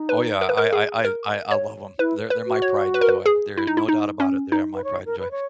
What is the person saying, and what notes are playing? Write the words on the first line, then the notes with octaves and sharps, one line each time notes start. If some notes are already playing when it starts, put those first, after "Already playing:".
Oh, yeah, I I I I I love 'em, they're they're my pride and joy, there no doubt about it, they are my pride and joy.
Already playing: D#4
B4
A#4
B4
A#4
G#4
A#4
C#5
E4 B4
B4
F#4
C#5
B4
A#4
B4
G#4
E4
D#4
E4
D#4
C#4
D#4
B4
C#5
A#4
B4
C#5